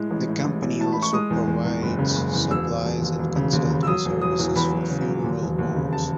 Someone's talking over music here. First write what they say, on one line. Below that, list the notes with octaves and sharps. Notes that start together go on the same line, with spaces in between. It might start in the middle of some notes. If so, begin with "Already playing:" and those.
The company also provides supplies and consulting services for funeral homes.
Already playing: A2 G#3
A1
A2
A1
A1
A2 A5
A2 B5
C#6
G#3 D#6
E2
E2
E2
F#1
C#3
F#1
E2
E1 E6
E1
E1
D#2
E1
C#3
D#2
C#3
E6
F#3 D#6
E1
F#3 D#6
E2
E2 B5
F#3
C#3
F#3
D#2
E1
D#2
C#3
A5